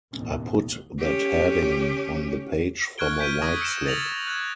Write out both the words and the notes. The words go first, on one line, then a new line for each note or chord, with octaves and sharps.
I put that heading on the page from a white slip.
A1 D#2 B2 B3 C#4
C#4 G4
C#6 F6 F#6 G#6 D7 G7
G6 B6 D7 D#7 G7
C#6 D#6 G#6 A#6
E6 C#7 D7 E7
A6 A#6 F7 F#7
F#6 G#6